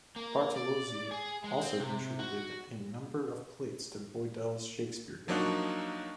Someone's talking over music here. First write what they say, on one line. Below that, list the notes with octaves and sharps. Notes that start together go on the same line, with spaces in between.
Bartolozzi also contributed a number of plates to Boydell's Shakespeare Gallery.
A#3
D5
G#4
G#3
C4
C3
F#4
F3 F#3 A#3 D4 D#4 F#4